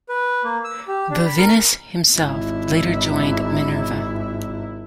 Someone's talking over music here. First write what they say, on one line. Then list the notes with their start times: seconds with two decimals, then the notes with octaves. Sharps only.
Vivinus himself later joined Minerva.
0.09 B4
0.44 A#3
0.64 E6
0.88 G4
1.10 D4
1.26 B5
1.38 A#4
2.17 G#1 E4